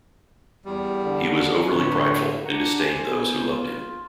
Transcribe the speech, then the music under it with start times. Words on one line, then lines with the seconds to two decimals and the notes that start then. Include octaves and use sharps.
He was overly prideful, and disdained those who loved him.
0.65 E2 G3
1.02 D3
1.70 A2 D3 B4 C6 C#6
2.45 D4 F#5 A#5
2.79 C5 G#5
3.05 B3
3.51 F4